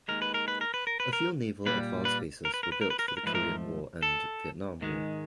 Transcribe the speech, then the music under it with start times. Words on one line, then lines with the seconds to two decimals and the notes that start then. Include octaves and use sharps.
A few Naval Advance Bases were built for the Korean War and Vietnam War.
0.08 D#2 D#3 G#3 A#4
0.22 B4
0.34 A#4
0.48 B4
0.61 A#4
0.74 B4
0.87 A#4
1.00 B4
1.13 A#4
1.66 A#2 G3 B4
2.05 B4
2.45 A#4
2.54 B4
2.63 A#4
2.72 B4
2.81 A#4
2.90 B4
2.99 A#4
3.08 B4
3.17 A#4
3.23 G#2 F3 A3 B4
3.35 A#4
4.03 A4
4.81 G#2 D#3 G#3